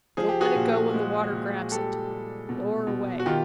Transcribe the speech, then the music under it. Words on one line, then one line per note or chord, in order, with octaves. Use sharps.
Don't let it go when the water grabs it. Lower away.
F3 G#4
G4
F#4 G#4
A#2
G#3
A#2
G3 G4 A4
G3
B2
B2
F#4
D#3 F4 G4